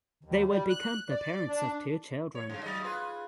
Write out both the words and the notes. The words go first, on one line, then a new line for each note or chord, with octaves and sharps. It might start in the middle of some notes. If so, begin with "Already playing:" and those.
They would become the parents of two children.
D#2
G3
F#6
D5
D4
C#5
G2 C#3
F#3 D#5
F4 G#4 B4